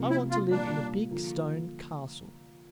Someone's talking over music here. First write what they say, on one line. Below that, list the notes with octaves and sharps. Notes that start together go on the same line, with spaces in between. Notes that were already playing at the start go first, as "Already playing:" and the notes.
I want to live in a big stone castle.
Already playing: C3 F3 A#3
E4
F4
A#2 G3 A#3 D4
D3 F3 A#3